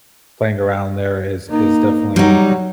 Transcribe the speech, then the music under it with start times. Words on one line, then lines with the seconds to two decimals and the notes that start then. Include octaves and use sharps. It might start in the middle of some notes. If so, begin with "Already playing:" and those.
playing around there is is definitely
1.49 A#3 D#4
2.16 F#3 G3 D#4